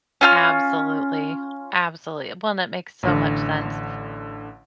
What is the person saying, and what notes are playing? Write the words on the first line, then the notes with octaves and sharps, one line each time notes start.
absolutely, absolutely well, and that makes so much sense.
C#4 F4 F6
A1 D3